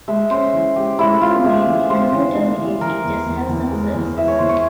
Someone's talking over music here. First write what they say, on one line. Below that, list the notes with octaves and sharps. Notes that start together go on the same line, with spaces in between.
Although mainly a commuter village it does have some services.
G#3 E5
C#4 C5
E3
G#3 G4
G#3 E4
C#4 F4
G#3 E5
E3
G#3 C5
E3
G#3
E3
E3 A#4
E2
E2
E2
G#3
E2
E3 E5
C#5
E2 C5
C#5